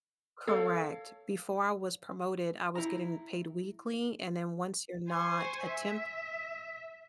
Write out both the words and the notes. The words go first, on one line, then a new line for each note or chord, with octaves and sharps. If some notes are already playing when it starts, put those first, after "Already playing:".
Correct. Before I was promoted, I was getting paid weekly, and then once you're not a temp
A4 C#5 F5
E4 A#5
C5 G#5 C6 C#6
E5